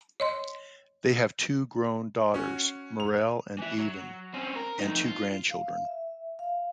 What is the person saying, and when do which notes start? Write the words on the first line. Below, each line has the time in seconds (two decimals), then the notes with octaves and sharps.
They have two grown daughters, Morel and Aven, and two grandchildren.
0.20 C#5 D#5 C6
2.34 C#4 F#4
3.00 F7
3.58 E3 E5
3.78 F#3
4.34 C4 C#4
4.56 A#4
4.79 F2 D#4
5.05 F4
5.50 F5
5.85 E5
6.39 F5